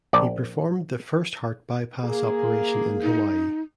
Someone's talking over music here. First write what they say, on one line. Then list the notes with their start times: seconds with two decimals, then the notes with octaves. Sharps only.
He performed the first heart bypass operation in Hawaii.
0.13 A#1 D5
2.04 A#3 G#4
3.03 D#4